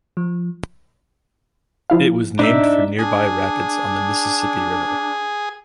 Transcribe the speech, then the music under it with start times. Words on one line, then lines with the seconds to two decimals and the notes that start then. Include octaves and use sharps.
It was named for nearby rapids on the Mississippi River.
0.17 F3
1.90 F3 E4 F5
2.39 A2 D4 D#4 E5
2.99 D4 G#4